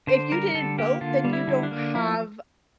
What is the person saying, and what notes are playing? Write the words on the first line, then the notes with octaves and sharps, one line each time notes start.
If you didn't vote, then you don't have"
D3 C5
G3 A#4
D3 A4
A#3 G4
D3 F4
G3
E4
D3
D4
A#3
F3 E4